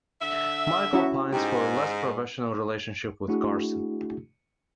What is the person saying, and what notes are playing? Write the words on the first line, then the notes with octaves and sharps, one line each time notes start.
Michael pines for a less-professional relationship with Carson.
D3 E5
C#4 E4 F#4
G#2 G4
A3 D4 E4 F#4 G#4